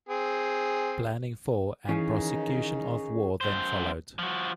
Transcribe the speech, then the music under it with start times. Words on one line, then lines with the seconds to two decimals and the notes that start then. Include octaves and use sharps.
Planning for and prosecution of war then followed.
0.09 C4 G#4
1.89 D#3 E3 C#4 D#4 G#4
3.41 F#2 C5
4.19 F3 F#4